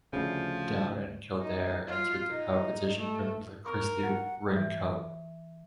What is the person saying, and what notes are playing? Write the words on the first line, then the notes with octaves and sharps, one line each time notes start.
Down and Kildare entered the competition from the Christy Ring Cup.
D2 C#3 F3
D#4
F4
D#4
A3
A#4 A#5 C#6
F#5
E3